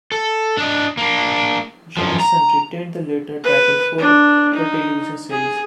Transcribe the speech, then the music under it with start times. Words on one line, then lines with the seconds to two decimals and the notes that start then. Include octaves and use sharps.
Johanson retained the latter title for her television series.
0.12 A4
0.57 D4 D#5
0.97 A#3 D4
1.97 F#2 F3
2.20 A#5
3.44 B4
3.99 D4
4.54 D#4
5.30 G#4